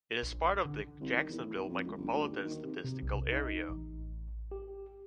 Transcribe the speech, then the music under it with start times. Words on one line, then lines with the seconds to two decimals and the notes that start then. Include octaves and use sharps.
It is part of the Jacksonville Micropolitan Statistical Area.
0.23 A#1
0.65 D3
1.00 C2
1.16 D#3
1.29 E2
1.42 A2
1.53 B1
1.69 F2
1.86 C#2
1.98 G1
2.13 D2
2.31 D#2
2.44 D#3
2.63 C3
2.84 C3
3.02 B1
3.32 D#4
3.69 A1
4.52 G4